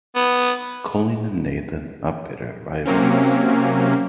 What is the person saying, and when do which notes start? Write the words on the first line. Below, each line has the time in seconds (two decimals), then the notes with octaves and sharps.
Colin and Nathan are bitter rivals.
0.16 B3
2.86 C3 F#3 A#3 C4 C#4